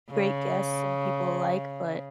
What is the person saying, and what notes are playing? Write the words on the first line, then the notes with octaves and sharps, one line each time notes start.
great guests and people alike, but
C#3